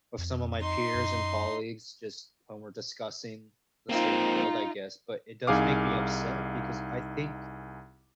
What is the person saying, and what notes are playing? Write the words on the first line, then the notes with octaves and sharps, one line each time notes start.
with some of my peers and colleagues just when we're discussing the state of the world, I guess, but it does make me upset because I think
F2
D#4 C6
F#2
A#3 C4 D#4 F4
C2 D#4 G#4 F5 D6